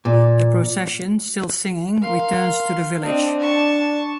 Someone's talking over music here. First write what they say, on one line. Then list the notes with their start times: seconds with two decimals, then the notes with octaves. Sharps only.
The procession, still singing, returns to the village.
0.05 A#2
2.02 A#4 F5 C6
3.02 C4 D4 D#5
3.39 A5 C#6